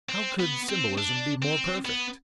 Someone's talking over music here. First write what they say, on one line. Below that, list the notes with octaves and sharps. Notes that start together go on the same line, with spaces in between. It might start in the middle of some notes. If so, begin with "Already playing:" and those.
How could symbolism be more perfect?
C4
B3
C4
D4
C4
B3